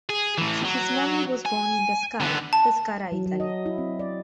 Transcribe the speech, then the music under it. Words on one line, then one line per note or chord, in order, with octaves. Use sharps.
Sigismondi was born in Pescara, Pescara, Italy.
G#4
A2 E3
F#3
G#5
D3 B3
A5
F#3
F#3
D#5
E4
C4
D5